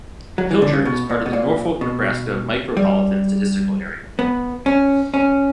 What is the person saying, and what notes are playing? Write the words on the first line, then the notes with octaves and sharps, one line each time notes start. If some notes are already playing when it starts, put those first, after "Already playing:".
Pilger is part of the Norfolk, Nebraska Micropolitan Statistical Area.
F#3
E3
D3
C#3
B2
A#2
B2
A#2
B2
G3
B3
C#4
C#4